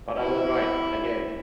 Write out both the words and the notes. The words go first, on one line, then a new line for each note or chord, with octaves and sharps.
But I was right - again!
E4